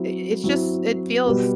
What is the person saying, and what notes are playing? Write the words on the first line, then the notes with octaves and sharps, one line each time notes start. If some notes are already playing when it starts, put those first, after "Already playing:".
i i it's just it feels
Already playing: F#3 C4 E4
F#3 C4 E4
B2 G3 B3 F#4